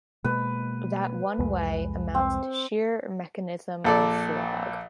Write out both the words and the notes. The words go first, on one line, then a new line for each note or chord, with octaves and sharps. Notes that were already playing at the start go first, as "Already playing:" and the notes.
That one way amounts to sheer mechanism and slog.
B2 G#3 A#3 B4
C2 F2 G#3
C4
A#1 A4 D5